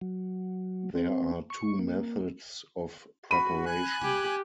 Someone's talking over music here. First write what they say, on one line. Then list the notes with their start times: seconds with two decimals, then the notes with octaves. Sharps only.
There are two methods of preparation.
0.01 F#3
0.95 C4
1.50 C#6
1.79 A#3
3.31 F#4 B5 D#7
3.66 G#5 F#6
4.01 G4